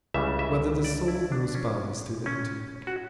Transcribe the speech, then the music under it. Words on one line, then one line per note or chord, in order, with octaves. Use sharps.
Whether the Soul Knows Bodies Through the Intellect?
C#2 C#3 E3 G3 E5
E5
D5
E4
D4
C#4
C#4
F#4